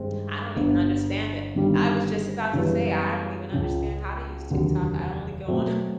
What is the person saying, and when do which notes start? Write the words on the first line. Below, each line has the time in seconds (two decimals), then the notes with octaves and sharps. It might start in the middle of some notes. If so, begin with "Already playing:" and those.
I don't even understand it, I was just about to say I don't even understand how to use TikTok, I only go on
Already playing: G2 D#3 G#3 C4
0.56 G1 G2 D3
1.55 G1 G2 D#3 G3 A#3
2.53 F#2 C#3 E3 G3 B3
3.52 C#2 C#3 F3
4.50 F1 D#2 D3 F#3
5.48 B2 F#3 A3 C4